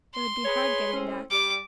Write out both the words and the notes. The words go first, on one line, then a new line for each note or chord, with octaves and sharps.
It would be hard getting back.
C6
G#4 B4 C#5
A2 C4 C#4
G3 D6